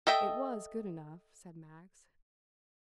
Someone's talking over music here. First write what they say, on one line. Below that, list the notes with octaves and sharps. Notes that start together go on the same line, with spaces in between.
"It was good enough," said Max.
A4 D#5 E5 G5